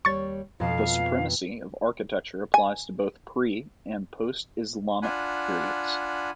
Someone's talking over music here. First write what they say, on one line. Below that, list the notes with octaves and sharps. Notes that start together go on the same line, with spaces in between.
The supremacy of architecture applies to both pre- and post-Islamic periods.
D#2 G3 C#5 C#6 A6
F2 B2 F4 F5 A5
G#5
D4 F4 F#5 G#5 B5